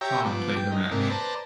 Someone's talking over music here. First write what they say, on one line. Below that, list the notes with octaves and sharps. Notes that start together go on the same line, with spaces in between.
Thom played the match.
G4 C#5 E5 G5 A#5
F3 B3 D6
G5
D#4
G#2 C3 A#3 D4
B4 C5 D5 A5 A#5